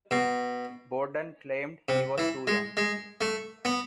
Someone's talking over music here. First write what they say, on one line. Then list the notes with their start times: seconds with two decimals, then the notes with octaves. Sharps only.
Bordat claimed he was too young.
0.11 B2
1.89 C3
2.18 E3
2.47 G#3
2.77 G#3
3.21 A3
3.65 B3